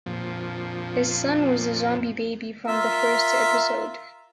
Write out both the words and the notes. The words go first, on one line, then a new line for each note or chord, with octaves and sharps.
His son was the zombie baby from the first episode.
F2 A#2 F3
F4 A#4 E5